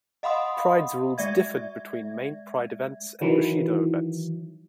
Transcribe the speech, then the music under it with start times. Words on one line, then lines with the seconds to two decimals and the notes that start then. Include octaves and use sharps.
Pride's rules differed between main Pride events and Bushido events.
0.23 D#5 F5 F#5 B5 C6 D#6
1.18 G#3 D5 E5 G#6
3.21 D#3 E3 F#3